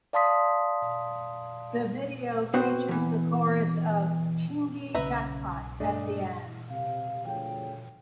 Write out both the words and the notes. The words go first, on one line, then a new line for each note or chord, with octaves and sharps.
The video features the chorus of "Chingy Jackpot" at the end.
D5 F5 A5 C6 D#6 B6
B3 C4 F#4 B4 C5
E2 E3
B1 C#3 C#4 B4 E5 A#5
G2 A3 D4 D#5
C3 F5
D2 F3 G#4 C#5 G5